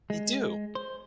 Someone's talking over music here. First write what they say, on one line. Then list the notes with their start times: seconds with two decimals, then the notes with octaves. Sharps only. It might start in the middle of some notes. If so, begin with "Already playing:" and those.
They do.
0.10 G#3
0.75 C5